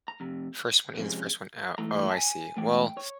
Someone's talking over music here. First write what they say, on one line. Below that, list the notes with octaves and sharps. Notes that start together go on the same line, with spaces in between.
First one in is first one out. Oh, I see. Well
A#5
F2 C3
F2 C3 F3 G#3 C#4
G#2 E3 A3 A#5
A5
G#5
G#2 E3 A3 G5
C#5